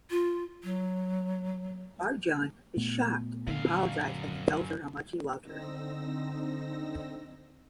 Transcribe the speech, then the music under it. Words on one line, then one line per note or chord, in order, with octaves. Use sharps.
Arjun is shocked and apologizes and then tells her how much he loved her.
F4
F#3
A#2 A3 B3
F#2 D3 F5
D3 C4 D#4 E6 A#6